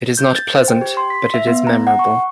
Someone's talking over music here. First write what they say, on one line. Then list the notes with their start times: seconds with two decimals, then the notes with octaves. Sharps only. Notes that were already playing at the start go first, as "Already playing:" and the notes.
It is not pleasant but it is memorable.
0.18 G6
0.36 A6
0.54 C5
0.68 G5
0.81 G4
0.97 C6
1.10 B6
1.34 E5
1.47 B3
1.67 A#5
1.87 F#5
1.99 C#6